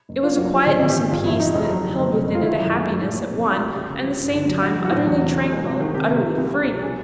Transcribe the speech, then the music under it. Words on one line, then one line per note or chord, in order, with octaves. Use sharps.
It was a quietness and peace that held within it a happiness at one and the same time utterly tranquil and utterly free.
F#1
A#3 F4
F#2 F#4
F3 G4
G#1 G#4
G#1
G4
G#1
G2 F4
A1 E4
A1 D#4
F1
F#3
D3
F#1
C3
F#1
F4
D#3 E4
F#2
G#3
A3
A2
A#1
C3
C2
F#4
C2
C#3 G4
C#3
F3
G2
D3
F#3
A1 F#4
F#3
F#4
A2
E2
C3
E1
G#3
C3
D#3
C3 G4
C3
C3
C2
G3
B2
G#4